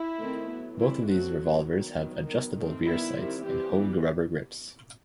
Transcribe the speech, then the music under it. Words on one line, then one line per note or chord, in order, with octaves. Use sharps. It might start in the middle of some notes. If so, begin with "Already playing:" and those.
Both of these revolvers have adjustable rear sights and Hogue rubber grips.
Already playing: E4
D#3 A3 C4
F#3 B3
E3 G3 C4 E4
F#3 A3 C4 F#4
F#3 C4
D#3 F#3 B3
D#3 F#3 B3
D#3 F#3 B3
D#3 A3 C4
D#3 G3 B3 E4
D#3 G3 C4
E3 G3 C4 G4
E3 G3 B3